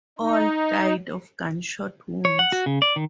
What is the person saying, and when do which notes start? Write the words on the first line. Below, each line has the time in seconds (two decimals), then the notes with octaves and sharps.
All died of gunshot wounds.
0.19 D#4
2.25 C#5
2.39 F#5
2.52 F#4
2.66 C#3
2.82 D5
2.96 D#3